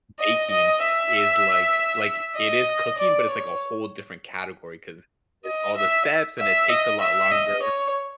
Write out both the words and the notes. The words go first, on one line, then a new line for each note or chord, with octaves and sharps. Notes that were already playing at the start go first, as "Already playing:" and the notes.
baking is like, like it is cooking, but it's like a whole different category 'cause it's all the steps and it takes a lot longer.
D#5
D#5
E5
D#5
D5
C#5
D#5
E5
E5
D#5
E5
D#5
C#5